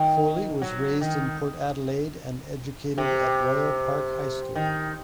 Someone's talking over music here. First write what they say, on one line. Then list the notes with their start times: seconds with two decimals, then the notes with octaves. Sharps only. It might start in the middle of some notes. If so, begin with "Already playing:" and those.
Foley was raised in Port Adelaide and educated at Royal Park High School.
Already playing: D#3
0.62 F#3
1.01 D#3
2.98 C3
4.56 D#3